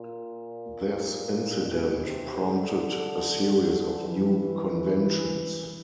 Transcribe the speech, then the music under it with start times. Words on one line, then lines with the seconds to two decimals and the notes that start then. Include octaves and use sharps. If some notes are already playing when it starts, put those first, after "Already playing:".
This incident prompted a series of new conventions.
Already playing: A#2
1.65 B2
2.05 C3
2.45 D3
4.05 E3